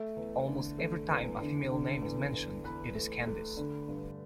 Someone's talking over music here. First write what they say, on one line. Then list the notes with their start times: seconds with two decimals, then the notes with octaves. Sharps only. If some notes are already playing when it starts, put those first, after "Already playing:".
Almost every time a female name is mentioned it is Candice.
Already playing: A3 E5
0.16 E2
0.48 D3
0.78 A3
1.10 E2
1.41 D3
1.72 D3
2.02 E2
2.33 E2
2.64 E2 B4
2.95 A3
3.27 A3
3.57 D3
3.88 G2